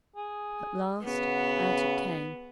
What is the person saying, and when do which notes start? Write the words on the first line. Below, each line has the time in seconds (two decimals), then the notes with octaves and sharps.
At last out it came.
0.16 G#4
1.05 C#3 B3 F#4